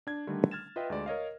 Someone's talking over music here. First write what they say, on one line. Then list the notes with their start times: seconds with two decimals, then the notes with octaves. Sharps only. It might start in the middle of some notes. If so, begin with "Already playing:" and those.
It is celebrated by all sections of the tribe.
0.07 D4 G#6
0.27 D3 D#3 G3 A3
0.51 F6 G#6 A6 E7
0.76 F4 B4 D#5 E5 G5
0.90 D2 G#3 D5
1.06 A#4 C#5 D#5 F5